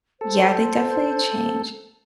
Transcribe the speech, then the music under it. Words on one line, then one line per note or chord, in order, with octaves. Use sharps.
Yeah, they definitely change.
A4 C5